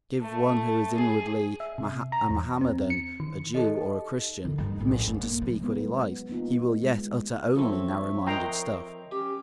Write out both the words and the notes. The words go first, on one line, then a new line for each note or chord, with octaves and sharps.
Give one who is inwardly a Mohammedan, a Jew, or a Christian, permission to speak what he likes: he will yet utter only narrow-minded stuff.
A3
G#4
E5
C3
A#5
E2
C4
C#7
D#3
D#4 G4 A4 D#5
D3 D#3
G2 D#4
A#1 A2
G2
A#3
C3 F3
F#3 G#3 B3 D#4
A#3 B3 D#4 F4
G3 G#3
F3 F#3 C4 A4 C#5 E5 C#6
F3 A#4 D#5 G5 A#5 C6
C#4 G4